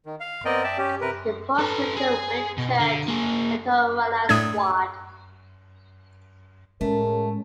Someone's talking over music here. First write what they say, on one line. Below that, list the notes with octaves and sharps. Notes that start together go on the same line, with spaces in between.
It falls within the Whitchurch and Tongwynlais ward.
D#3
F5
B3 C4 A#4 D5 D#5 G5
D5 E5 G5 A5
C#4 G4
C3 A#4 B4
A4 B4
G#4
B2
D3
A#3 G#4
A2 A3 D4 D#6 G#6
A2 G#3 A3 C#4 A#4